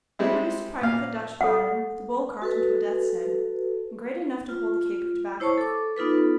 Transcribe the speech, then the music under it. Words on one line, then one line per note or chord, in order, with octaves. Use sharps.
He produced a pipe of the Dutch pattern, with a bowl carved into a death's head, and great enough to hold a cake of tobacco.
G3 G#3 C4 E4
A#2 F5
A4 F#5
F#4 A4 B4
F4
E4 C5 C#5 A5 C#6
A4 D6
B3 D#4 F4 A4 B4